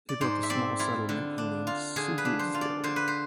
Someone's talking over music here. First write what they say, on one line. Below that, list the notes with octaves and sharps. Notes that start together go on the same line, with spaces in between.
He built a small settlement he named Soulesville.
D5
G#2 C5
E5
C4 D5
E4 F4
D3
D4
F4
D3 G#4
B4
D4
C5
F4
D5
D3 C5
B4
C5